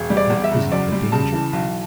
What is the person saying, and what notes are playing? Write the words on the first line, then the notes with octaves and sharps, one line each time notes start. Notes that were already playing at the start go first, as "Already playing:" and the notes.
That isn't the danger.
Already playing: E1
G3
D5
E2
E5
C#3
F#2 D5
G3
C#3 A5
E3
B1